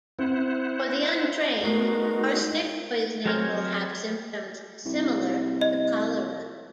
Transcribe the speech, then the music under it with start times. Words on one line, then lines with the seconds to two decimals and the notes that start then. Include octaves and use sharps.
For the untrained, arsenic poisoning will have symptoms similar to cholera.
0.19 C4 E4 C5 F#5
1.63 G#3 A3 B3 D#4 F#4 A#4 C7
3.26 F#3 G#3 C4 A#4 C5 C#5
4.85 C2
5.61 D#5